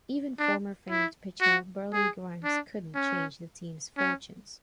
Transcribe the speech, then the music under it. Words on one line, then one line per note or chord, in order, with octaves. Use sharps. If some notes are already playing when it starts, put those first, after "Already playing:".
Even former famed pitcher Burleigh Grimes couldn't change the team's fortunes.
D4
E4
F#4
G#4
D4
C#4
C#4